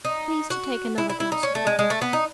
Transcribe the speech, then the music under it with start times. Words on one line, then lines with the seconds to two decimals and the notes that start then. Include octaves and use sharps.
"Please to take another glass of wine."
0.05 D#4
0.50 F#4
0.98 E4
1.09 E4
1.20 E4
1.32 D#4
1.43 C#4
1.55 A3
1.67 G#3
1.79 G#3
1.90 A3
2.01 B3
2.13 D#4